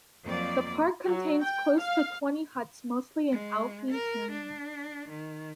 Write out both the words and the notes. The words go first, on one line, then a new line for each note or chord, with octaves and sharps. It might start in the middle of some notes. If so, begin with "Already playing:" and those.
The park contains close to twenty huts, mostly in alpine terrain.
F2 F#3 A#3 D5
F#3
G5
F5
G#3
A#4
D4
D#3